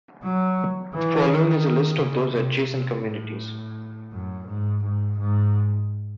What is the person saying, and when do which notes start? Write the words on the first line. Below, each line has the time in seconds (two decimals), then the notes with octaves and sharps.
Following is a list of those adjacent communities.
0.23 F#3
0.94 E3
1.30 D#3
2.00 C#3
2.36 C3
2.71 C3
3.07 A2
4.13 F#2
4.48 G#2
4.84 G#2
5.19 G#2